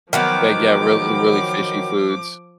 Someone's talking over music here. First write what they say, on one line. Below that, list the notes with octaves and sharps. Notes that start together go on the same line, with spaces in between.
they get really, really fishy foods.
D#3 F3 F#3 B3 D6